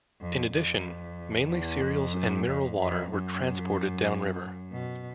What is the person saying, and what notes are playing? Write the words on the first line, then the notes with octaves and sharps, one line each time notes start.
In addition, mainly cereals and mineral water were transported downriver.
F2
F2
E2
F2
F#2
F2
F2
F#2
B2